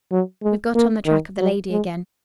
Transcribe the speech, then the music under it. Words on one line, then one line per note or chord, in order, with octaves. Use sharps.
We've got on the track of the lady again.
F#3
G#3
A#3
D#3
F#3
G#3